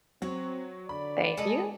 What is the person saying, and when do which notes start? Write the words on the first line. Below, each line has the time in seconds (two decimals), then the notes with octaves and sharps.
Thank you.
0.22 F#3 C4 F#4 C#5
0.89 D3 D5 B5
1.37 G#3 A4 B4 D#5 G#5